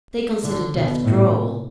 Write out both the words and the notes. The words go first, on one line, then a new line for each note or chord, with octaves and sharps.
They considered death droll.
D3
B2
A2